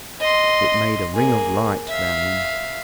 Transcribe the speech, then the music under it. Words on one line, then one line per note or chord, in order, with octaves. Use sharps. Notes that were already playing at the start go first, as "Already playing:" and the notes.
It made a ring of light round them.
D#5 C6
A#3 G#4
E5 F5